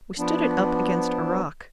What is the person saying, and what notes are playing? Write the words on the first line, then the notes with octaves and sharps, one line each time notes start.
We stood it up against a rock.
F3 B3 D4